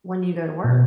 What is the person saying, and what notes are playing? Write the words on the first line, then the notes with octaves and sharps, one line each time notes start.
when you go to work,
A#2
B2